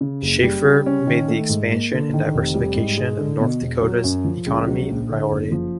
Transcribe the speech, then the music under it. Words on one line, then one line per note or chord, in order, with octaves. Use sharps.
Schafer made the expansion and diversification of North Dakota's economy a priority.
C#3
F#1
G3
C#3
C#4
D#3
A3
G#2
A#3
D3
D#3
F1
G3
G#2
G#3
D3
B2
E1
F#3
F#2
F3
C#2
F#3
A#1
D3
F#1
F3